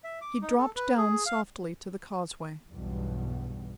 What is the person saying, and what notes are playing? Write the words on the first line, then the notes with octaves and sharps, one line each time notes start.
He dropped down softly to the causeway.
E5
D6
D#4
A4
B4
G#4
F5
B1 E2 G2 B2 G3